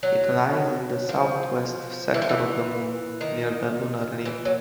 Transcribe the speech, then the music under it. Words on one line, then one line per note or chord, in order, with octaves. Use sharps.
It lies in the southwest sector of the Moon, near the lunar limb.
F#3
F3
E3
F3
E3
D#3
E3
F#3